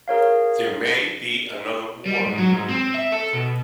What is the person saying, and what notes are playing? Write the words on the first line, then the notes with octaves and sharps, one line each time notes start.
There may be another war.
G#4 A#4 C#5 F5
G3
G#2
F#3
G#2
C4
E5
A4
B2